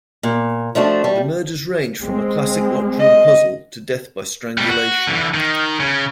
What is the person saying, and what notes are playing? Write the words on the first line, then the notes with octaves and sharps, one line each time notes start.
The murders ranged from a classic locked-room puzzle to death by strangulation.
A#2
F3 A3 D4 F#4
G3
G#3 C4
D#5
B2 G3
F#4
D3 E3
D#3
C#3